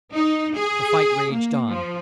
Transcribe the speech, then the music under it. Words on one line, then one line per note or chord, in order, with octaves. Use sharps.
The fight raged on.
D#4
G#4
A#3
F3